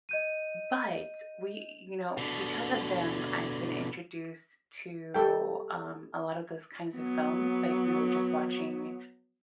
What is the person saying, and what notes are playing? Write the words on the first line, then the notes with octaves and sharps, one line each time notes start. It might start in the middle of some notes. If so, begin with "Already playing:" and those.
but we you know, because of them, I've been introduced to, um, a lot of those kinds of films, like, we were just watching
D#5 G6 D#7
B2 D3
G3 A4 G5
F#3 B3